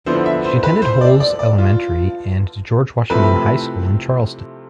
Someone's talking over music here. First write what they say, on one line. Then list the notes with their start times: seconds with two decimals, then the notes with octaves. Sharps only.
She attended Holz Elementary and George Washington High School in Charleston.
0.06 D3 F3 B3 E4 C5
0.26 E5
0.44 C5
0.63 B4
0.82 C5
1.01 D5
1.20 D5
1.39 D5
1.58 F4
3.10 C3 F3 A3 C4 E4 B4